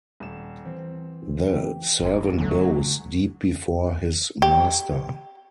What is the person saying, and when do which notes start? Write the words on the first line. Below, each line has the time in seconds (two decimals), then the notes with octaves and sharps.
The servant bows deep before his master.
0.20 D#1 E7
0.65 E3 C4
1.49 G4
2.02 F1 D2 G#2
2.38 D#1 E2 D3 F#3 A3
4.42 G4